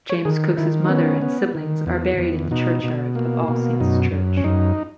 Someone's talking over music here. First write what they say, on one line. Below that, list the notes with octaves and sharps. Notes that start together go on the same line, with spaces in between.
James Cook's mother and siblings are buried in the churchyard of All Saints' Church.
C#5
D#3 G#4
D#3 E4
D#4
B3 C#4
B3
D#3
E2
E2
B2 D#4
B2
A#3
B2
F#2 D#4
F#2
C#4
F#2 D#4